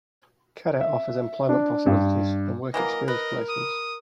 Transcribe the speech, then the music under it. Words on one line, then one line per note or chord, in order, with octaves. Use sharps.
Cadw offers employment possibilities and work experience placements.
E5
D4
G2
E3 F#3 A#3 A#4 D#5
B4 D#5
D#6